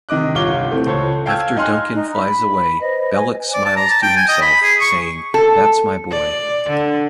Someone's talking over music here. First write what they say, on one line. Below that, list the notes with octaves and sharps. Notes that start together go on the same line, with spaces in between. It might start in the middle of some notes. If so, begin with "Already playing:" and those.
After Duncan flies away, Belloc smiles to himself, saying, "That's my boy".
C3 D#3 D#5 D6 F#6
G1 C2 F4 C#5 D6 G7
E3 A3 C4
C#2 A4 C5 C#5
F5 G5 A5 E6 F6 G#6
D#4 D#5 G#5 C6 F6 F#6
D#4
B5
B4 C5 D#5
G#5
D5
A5
A#5
A5
G5
G#5
D#5
B5
G#4
C#6
A4
D5
D3